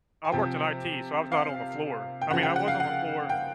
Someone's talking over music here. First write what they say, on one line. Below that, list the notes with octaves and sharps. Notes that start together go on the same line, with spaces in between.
I worked in IT, so I was not on the floor, I mean, I was on the floor,
G#5
C3 F3 G5
F5
G5
C#3 F3 F#5
G5
F#5
F5
F#5
G5